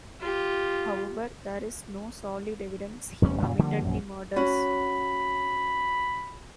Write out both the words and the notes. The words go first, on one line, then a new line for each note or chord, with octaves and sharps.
However, there is no solid evidence he committed the murders.
F4 G4
F1 E2 G3 C#4
F#2 A#2 C#3
D3 F3 G3 A#3
A#1 F#2
C#4 F#4 B5